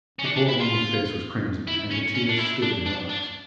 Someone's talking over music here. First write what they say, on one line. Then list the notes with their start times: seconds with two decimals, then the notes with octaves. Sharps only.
The poor woman's face was crimson, and the tears stood in her eyes.
0.19 C#4
0.24 D4
0.36 D4
0.49 E4
0.60 F4
1.67 E4
1.91 C#4
2.15 C#4
2.29 D4
2.38 E4
2.62 D4
2.86 D4
3.10 D4